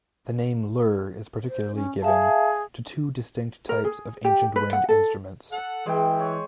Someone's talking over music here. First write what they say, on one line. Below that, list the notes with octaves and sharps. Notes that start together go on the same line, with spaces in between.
The name lur is particularly given to two distinct types of ancient wind instruments.
C5
C#4
G#4 E5 F5 A5
A#4
G#4
G4
B4
F#5
A4
A4 F#5
E3 G#3 G5
C#5